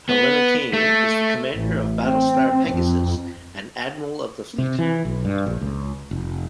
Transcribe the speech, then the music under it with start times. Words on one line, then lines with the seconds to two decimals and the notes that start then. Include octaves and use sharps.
Helena Cain is the commander of Battlestar "Pegasus" and Admiral of the fleet.
0.09 B3
0.73 A3
1.55 A1
2.02 C4
2.71 F2
4.58 C3
4.79 E3
5.05 B1
5.25 G2
5.46 A#1
5.61 C#2
6.11 F1